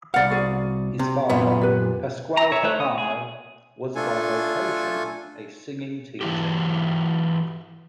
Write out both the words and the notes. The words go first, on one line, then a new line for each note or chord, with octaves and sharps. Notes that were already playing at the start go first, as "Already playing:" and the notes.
His father, Pasquale Pappano, was by vocation a singing teacher.
C2 D5 F5 F#5
F#4 G#4 D5
C3
F#2 A#2 B3
G4 B4
A#5
C#5 E5
A3 A4 C5 C#5 F#6
D#6
G#4
A3 D4 F4 A4 G#5
E3 F#3 G#3 E4 G4